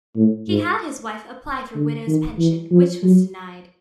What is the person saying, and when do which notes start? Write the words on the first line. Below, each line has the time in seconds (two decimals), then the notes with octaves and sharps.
He had his wife apply for widow's pension, which was denied.
0.16 A2
0.48 G#2
1.76 D3
2.07 D#3
2.39 E3
2.71 F3
3.03 F#3